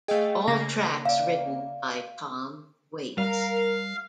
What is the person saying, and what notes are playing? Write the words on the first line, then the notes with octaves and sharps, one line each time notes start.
All tracks written by Tom Waits.
A3 G#4 D#5 F5 G5
C#3 A#3 A#6
D5 E5 F5
G3 A#4 F5